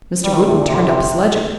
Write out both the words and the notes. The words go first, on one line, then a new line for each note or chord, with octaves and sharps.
Mr. Wootten turned up his ledger.
G3
D#3
C3
A#2
C3
D3
C3